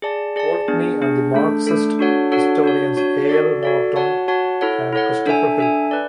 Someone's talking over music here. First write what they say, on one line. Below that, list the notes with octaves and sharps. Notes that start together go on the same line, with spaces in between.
Poultney and the Marxist historians A. L. Morton and Christopher Hill.
G#4 D5 A5
G#4 D5 A5
B3 D4 G#4
B3 D4 G#4
A3 D4 A4
A3 D4 A4
D4 F#4 A4 C#5 F#5
D4 F#4 A4 C#5 F#5
D4 F#4 C#5
D4 F#4 C#5
F#4 A4 D5
F#4 A4 D5
F#4 C#5 F#5 A5
F#4 C#5 F#5 A5
E4 A4 C#5 F#5
E4 A4 C#5 F#5
D4 A4 E5 G#5
D4 A4 E5 G#5
B4 D5